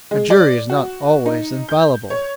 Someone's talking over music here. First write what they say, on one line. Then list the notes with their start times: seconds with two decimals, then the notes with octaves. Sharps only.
"A jury is not always infallible!"
0.11 G#3
0.30 D5
0.70 F#4
1.26 D#4
1.69 G6
2.10 C#5